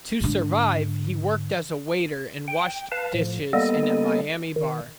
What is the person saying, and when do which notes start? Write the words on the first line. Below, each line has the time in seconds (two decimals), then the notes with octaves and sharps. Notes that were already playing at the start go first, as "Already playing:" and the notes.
To survive, he worked as a waiter and washed dishes in a Miami bar.
0.21 G#2 D3
2.48 G5
2.92 B4 F5 A5
3.14 A2 F3
3.53 G3 A#3 B3 A4 D#5
4.56 D#3